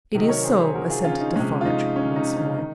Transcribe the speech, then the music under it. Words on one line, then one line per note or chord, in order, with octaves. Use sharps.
"It is so," assented Defarge once more.
C3 D#3 F#3 D#5
A#4 C#5
G#4 C5
G#4 C5
F#4 A#4
F4 G#4
C#4 F4
D#4
C3 F3 G#3 C#4
F4
D#4
C#4
D#4
C#4
D#3 D#4